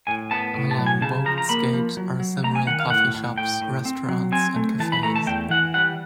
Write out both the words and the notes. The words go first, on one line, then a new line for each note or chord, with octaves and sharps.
Along Vogts gate are several coffee shops, restaurants and cafes.
A2 G#5
B3 A5
A2
A5
F#3
G#5
C#3 A5
F3 A#5
A#5
A#3 B5
F3
F#3
F#3
A3 A#5
G#5
D#3 F#5
F5
A2 F#5
A2
A2 G5
A2
C4
F#3
C4 G#5
A3
E3 A5
B5
A3 A#5
A5
E2 G5
E3 F#5
G3 F#5